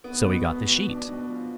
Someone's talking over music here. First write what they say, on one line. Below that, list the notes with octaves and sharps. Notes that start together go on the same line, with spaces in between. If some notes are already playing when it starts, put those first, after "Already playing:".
So he got the sheet.
B3
B2
B3
B2
D4
B2
F3